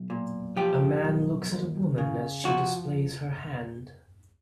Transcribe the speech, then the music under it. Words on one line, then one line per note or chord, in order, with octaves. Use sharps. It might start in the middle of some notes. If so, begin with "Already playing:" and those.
A man looks at a woman as she displays her hand.
Already playing: B1
A#2
F3 G4
B1
D#2
C#3
F3 F#4